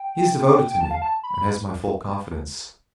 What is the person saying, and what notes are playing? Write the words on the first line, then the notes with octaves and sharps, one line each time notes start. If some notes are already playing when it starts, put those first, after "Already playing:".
He is devoted to me, and has my full confidence.
Already playing: G5
G5
A5
F5
A5
B5
B5